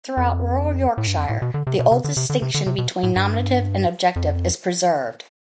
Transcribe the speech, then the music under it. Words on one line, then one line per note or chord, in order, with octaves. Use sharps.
Throughout rural Yorkshire, the old distinction between nominative and objective is preserved.
F2
A2
G2
F2
A2
B2
D3
C3
B2
C3
D3
C3
D3
C3
D3
C3
B2
A2
G2
F2